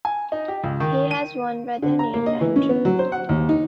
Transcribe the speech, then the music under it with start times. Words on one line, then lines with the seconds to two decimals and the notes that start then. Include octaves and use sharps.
He has one brother named Andrew.
0.05 G#5
0.32 D#4
0.48 G4
0.64 C#2
0.80 D#3
1.11 D#7
1.82 D3
1.99 A#5
2.14 A#3
2.26 D#5
2.41 E3
2.56 C#4
2.69 B3
2.85 F#3
2.99 C5
3.12 F#5
3.29 D#2
3.49 D#4